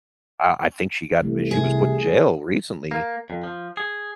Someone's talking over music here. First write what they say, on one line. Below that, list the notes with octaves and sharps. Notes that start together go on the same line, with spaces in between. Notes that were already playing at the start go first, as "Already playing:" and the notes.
uh, I think she got we she was put in jail recently
C2 E3 A3
C3 G#4
A#3
F2
F3
G#4